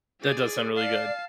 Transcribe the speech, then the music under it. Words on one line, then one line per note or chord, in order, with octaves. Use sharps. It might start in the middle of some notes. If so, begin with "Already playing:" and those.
That does sound really good.
G#4 D5
D5 F5 A5 C7